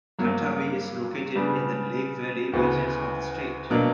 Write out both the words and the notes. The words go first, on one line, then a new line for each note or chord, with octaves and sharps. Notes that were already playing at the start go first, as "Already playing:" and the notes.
Tatamy is located in the Lehigh Valley region of the state.
G2 F#3 A#3
C#3 G3 B3 D4
D2 C#3 E3 B3
B2 F#3 A#3 D4